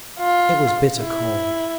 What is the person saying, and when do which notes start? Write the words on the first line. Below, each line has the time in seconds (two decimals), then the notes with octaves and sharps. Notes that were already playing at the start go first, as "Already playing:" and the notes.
It was bitter cold.
0.19 F4
0.99 E4